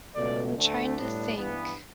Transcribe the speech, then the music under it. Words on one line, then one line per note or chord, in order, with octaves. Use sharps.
I'm trying to think,
C#2 B2 F#3 A3 D5
D2 D3 A3
A2 G3 B3 D4
G2 E3 B3